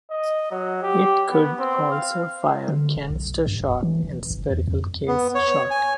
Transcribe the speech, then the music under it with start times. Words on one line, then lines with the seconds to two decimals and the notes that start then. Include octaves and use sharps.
It could also fire canister shot and spherical case shot.
0.10 D#5
0.51 F#3
0.83 G4
1.31 B3
1.59 C4
1.91 F5
2.68 D3
2.96 D1
3.10 B1
3.47 G2
3.60 D1
3.83 E3
4.03 E1
4.31 G1
4.50 E2
4.68 F2
5.08 B3
5.35 C#5
5.71 G#5